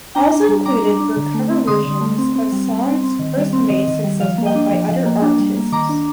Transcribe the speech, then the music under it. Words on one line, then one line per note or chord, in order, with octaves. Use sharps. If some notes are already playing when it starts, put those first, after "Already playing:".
Also included were cover versions of songs first made successful by other artists.
D4 G5 A#5
D4
G3
G3 A#5 D6
D4
D4
D3
A3
C4
D3 C6 D#6
D3
A3
C4
C4
G3
G3
C4
C4
D#3
G3
C4
D#3 D#5
D#3
G3
F3 F5
A#3
D#5 G5
D4
F3
F3
A#3
D4
G3
A#3
D#3 A#5 D6
D4